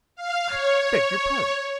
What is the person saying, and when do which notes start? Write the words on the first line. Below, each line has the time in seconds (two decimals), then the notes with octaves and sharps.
I beg your pardon.
0.15 F5
0.48 C#5